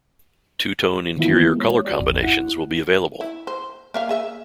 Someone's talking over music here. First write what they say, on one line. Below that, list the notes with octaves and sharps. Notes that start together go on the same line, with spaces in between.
Two-tone interior color combinations will be available.
D#3 E3 A#3 B3 E4 F4
G#3 C#5
F#4 G4 D5
G#1 E2
E4 F#5
E4
C5
A#3 E5 F5
G#4 E5